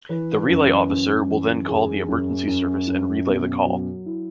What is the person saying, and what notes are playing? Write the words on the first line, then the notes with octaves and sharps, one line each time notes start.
The relay officer will then call the emergency service and relay the call.
E3 B4
F#2
F#2
E3
F#2 G#4
F#2
F#2
F#2
B2
F#3
E4